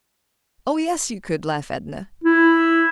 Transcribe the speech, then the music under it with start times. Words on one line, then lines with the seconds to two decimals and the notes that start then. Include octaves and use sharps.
"Oh, yes you could!" laughed Edna.
2.24 E4